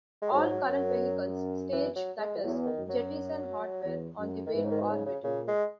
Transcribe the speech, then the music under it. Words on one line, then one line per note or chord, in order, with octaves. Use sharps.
All current vehicles "stage", that is, jettison hardware on the way to orbit.
G#3
G#2 F#3
F#2
E3
F#3
G#3
E3
E2 F#3
D#3
F#2
F#3
E2
F#2
D#3
G#2 E3
C#3
D#3
B2
C#3
C#3
A#2 C#3
G#3